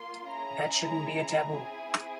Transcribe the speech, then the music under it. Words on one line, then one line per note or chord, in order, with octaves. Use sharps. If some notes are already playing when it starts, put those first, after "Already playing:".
That shouldn't be a taboo.
Already playing: A#3 F4 C6
C#4 E4 G#4 A#5
C4 E4 G#4 G#5